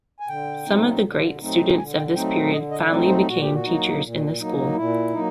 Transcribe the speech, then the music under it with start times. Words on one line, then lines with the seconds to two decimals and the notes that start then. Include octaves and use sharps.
Some of the great students of this period finally became teachers in the school.
0.20 G#5
0.28 D3 G5
0.66 F#3 A3 C4 D#4
1.03 D3
1.41 F#3 A3 C4 D#4
1.78 D3 G#5
1.96 G5
2.15 F#3 A3 C4 D#4 G5
2.52 D3 D#5
2.71 D#5
2.89 F#3 A3 C4 D#4 D5
3.09 C5
3.27 A#2 F#4
3.40 G4
3.53 F#4
3.64 F#3 A#3 D#4
4.01 A#2
4.39 F#3 A#3 D#4
4.76 A#2 E4
5.13 F#3 A#3 D#4